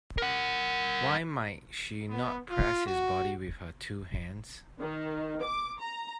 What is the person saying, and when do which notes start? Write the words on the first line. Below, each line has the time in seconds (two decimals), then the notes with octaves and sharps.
Why might she not press his body with her two hands.
0.18 A#4 F#5
2.10 B3
2.50 F4
2.86 F#4
4.80 D#3
5.43 D6
5.80 A#5